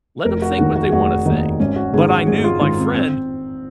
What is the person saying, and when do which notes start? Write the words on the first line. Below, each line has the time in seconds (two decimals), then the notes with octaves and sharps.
let 'em think what they wanna think, but I knew my friend
0.25 F1 A#4
0.42 F#4
0.58 D#2 D#3 F#4
0.76 F#4
0.88 G#4
0.92 F1 F#4
1.26 D#2 D#3 D#4
1.60 G#1 C#4
1.76 F#4
1.93 G#2 D#3 G#4
2.10 F#4
2.27 G#1 G#4
2.44 F4
2.60 G#2 D#3 F4
2.78 C4
2.95 C4